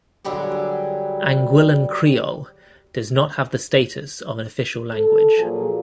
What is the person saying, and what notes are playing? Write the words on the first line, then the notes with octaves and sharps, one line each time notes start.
Anguillan Creole does not have the status of an official language.
D3 F#3 G3 G4 G#4
A4
A#2 F3 F#3 G#4